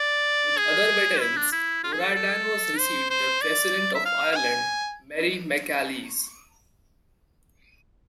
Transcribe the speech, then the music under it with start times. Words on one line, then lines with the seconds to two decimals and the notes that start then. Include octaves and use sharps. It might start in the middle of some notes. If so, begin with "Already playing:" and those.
With other veterans O'Riordan was received by President of Ireland Mary McAleese.
Already playing: D5
0.58 G#4
1.20 E4
1.37 D4
1.52 E4
1.84 F4
1.93 G#4
1.99 A4
2.16 A4
2.79 C5
3.10 C5
3.41 D5
3.95 E5
4.05 F5
4.32 F5
4.36 G#5